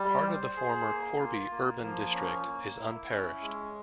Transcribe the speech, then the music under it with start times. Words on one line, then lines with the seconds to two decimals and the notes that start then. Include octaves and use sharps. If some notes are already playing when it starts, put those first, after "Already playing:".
Part of the former Corby Urban District is unparished.
Already playing: G3
0.24 C5
0.57 G#4
0.87 A#3
1.19 F4
1.51 A#3
1.82 F3 A#3
2.14 C#4
2.45 A#3
2.78 E4
3.09 C#4
3.41 G#3